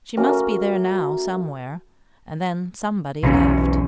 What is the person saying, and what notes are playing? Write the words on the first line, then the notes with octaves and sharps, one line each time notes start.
"She must be there now, somewhere," and then somebody laughed.
A3 A#3 C#4 F#4
B1 E2 E3 C#4